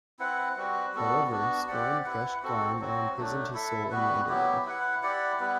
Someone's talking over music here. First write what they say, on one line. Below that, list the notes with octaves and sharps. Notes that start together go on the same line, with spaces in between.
However, Skorne crushed Garm and imprisoned his soul in the Underworld.
C4 E4 B4 F#5
G3 C4 F#4 B4
G3 B3 F#4 A4
B3 D4 F#4
C4 G4 D5 F#5
E4 B4 F#5
C4 F#4 A4
F#3 C4 F#4
F#3 A3 D4
E4 A4 E5
G3 B3 F#4 B4
F#3 B3 E4 G4
E4 B4 F#5
E4 G4 D5 F#5
G3 B3 E4 B4